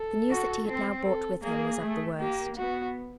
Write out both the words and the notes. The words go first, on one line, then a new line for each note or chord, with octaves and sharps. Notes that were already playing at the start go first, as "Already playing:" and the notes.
The news that he had now brought with him was of the worst.
Already playing: A4
F#4
C4
A4
A#3 G#4
A3
A#3 G4
B3 F#4